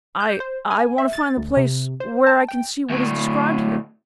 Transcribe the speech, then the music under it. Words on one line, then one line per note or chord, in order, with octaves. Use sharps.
I--I--want to find the place where I can see what is described here.
G6
C5
G#5
E5
A6
D2
C3
C5
A5
G5
D2 A2